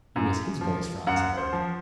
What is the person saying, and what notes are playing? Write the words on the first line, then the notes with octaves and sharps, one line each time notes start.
It was his voice Franz had heard.
F#2
F3
F#2 F#5
C5
F3